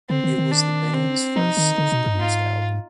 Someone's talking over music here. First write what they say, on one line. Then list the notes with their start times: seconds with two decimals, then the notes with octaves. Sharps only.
It was the band's first self-produced album.
0.09 D3 C4
0.24 D#3
0.38 D#3
0.51 D4
0.93 C4
1.36 F3 D#4
1.57 D#3
1.78 D3
1.92 B2
2.06 G#2
2.13 G2
2.20 G#2 F4